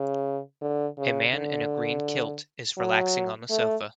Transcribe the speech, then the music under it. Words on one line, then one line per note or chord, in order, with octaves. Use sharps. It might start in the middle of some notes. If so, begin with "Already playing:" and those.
A man in a green kilt is relaxing on the sofa.
Already playing: C#3
D3
C#3
D3
F#3
A3